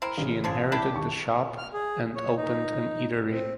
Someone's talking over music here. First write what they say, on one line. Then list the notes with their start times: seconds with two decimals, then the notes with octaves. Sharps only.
She inherited the shop and opened an eatery.
0.02 C4 E4 A#4
0.18 A1 C#3
0.44 D3 F3 G#4
0.72 D4 E4 G4
0.94 D#2 A5 C#6
1.58 F6
1.73 G#4
2.15 C#5
2.36 D#4
3.32 C4